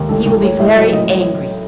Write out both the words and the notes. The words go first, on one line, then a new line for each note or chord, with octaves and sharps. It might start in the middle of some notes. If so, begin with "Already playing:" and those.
"He will be very angry."
Already playing: D#2
A1 A4
A1 A4
A3 C#5
A2 E5
F#3 D#5
A1 D#5
F#3 C#5